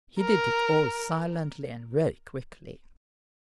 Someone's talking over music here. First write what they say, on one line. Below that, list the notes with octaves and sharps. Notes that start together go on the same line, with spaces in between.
He did it all silently and very quickly.
A#4